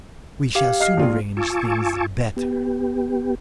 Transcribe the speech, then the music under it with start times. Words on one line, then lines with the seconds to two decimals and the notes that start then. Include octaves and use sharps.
We shall soon arrange things better.
0.55 G4 F5
0.80 D#5 F6 C7
0.97 A#1 F4
1.37 F4 G#5 A5 C#6 D6 E6
2.36 B3 G4